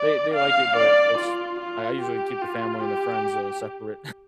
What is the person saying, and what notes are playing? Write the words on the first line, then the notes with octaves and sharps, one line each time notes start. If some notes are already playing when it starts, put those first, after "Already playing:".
they they like it, but it's I I usually keep the family and the friends, uh, separate
Already playing: D5
F5
D5
F4
F4
G4
F4
G4